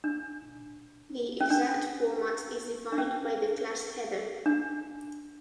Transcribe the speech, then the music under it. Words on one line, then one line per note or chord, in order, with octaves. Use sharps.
The exact format is defined by the "class" header.
D4
C#4
D4
D4
C#4
D4